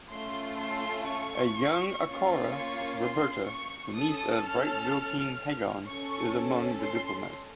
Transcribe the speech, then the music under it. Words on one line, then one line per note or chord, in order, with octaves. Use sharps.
A young Acara, Roberta, the niece of Brightvale King Hagan, is among the diplomats.
A3 C#4 F4 A4 C6
C6
C#6
A#3 C#4 F4
C#6
C6
C#6
C#4 A4 D#6
F6
C#4 A4 C#6
C6